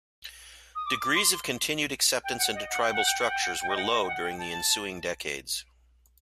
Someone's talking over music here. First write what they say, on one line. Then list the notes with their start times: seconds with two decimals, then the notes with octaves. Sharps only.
Degrees of continued acceptance into tribal structures were low during the ensuing decades.
0.75 D#6
0.86 D6
1.00 D6
1.15 C6
2.24 G5
2.38 F#5
2.55 D#5
2.69 F#5
2.82 G5
2.93 F#5
3.06 G5
3.18 F#5
3.29 G5
3.42 F#5
3.62 G5
3.69 D#5
3.77 F#5
3.93 D#5
4.03 G5
4.08 F#5
4.23 G5
4.38 A5